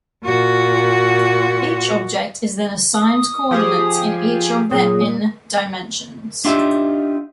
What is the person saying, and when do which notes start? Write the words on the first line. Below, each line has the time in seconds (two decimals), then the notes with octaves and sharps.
Each object is then assigned coordinates in each of the "N" dimensions.
0.25 A#2 F#4
2.94 D#6
3.51 F3 G4 G#4
4.71 A#2 F#3 G#4
6.45 D4 D#4 F4 G4 E5